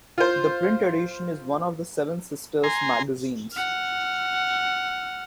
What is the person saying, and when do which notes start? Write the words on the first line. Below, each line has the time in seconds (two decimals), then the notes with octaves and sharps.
The print edition is one of the Seven Sisters magazines.
0.18 F4 C5
2.63 G#5 A#5 C6
3.53 F#5 F6